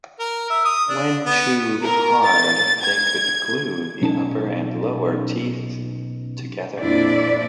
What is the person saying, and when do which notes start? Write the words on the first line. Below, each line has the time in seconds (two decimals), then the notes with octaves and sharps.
When chewed hard, they could glue the upper and lower teeth together.
0.19 A#4
0.50 E5
0.65 D#6
0.89 D4
1.26 B3
1.83 A#4
2.27 A6
2.82 G#6
4.02 B1 C#4 D#4 A5
6.80 F2 A#2 D4 E4 D5